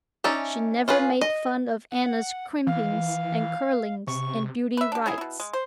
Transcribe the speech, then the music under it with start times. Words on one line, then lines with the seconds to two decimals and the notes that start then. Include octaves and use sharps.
She never made fun of Anna's crimpings and curlings and beauty-rites.
0.24 C#4 D#4 D5 E5 A5
0.88 C#4 F4 G#4 B4
1.21 D#5
1.91 F#5
2.67 E3 F5
4.07 C3 C#6
4.77 B4 E5
4.92 D4 G4
5.06 C#4 D#4 E4 G#4
5.18 B2 E4
5.40 G#3
5.53 C5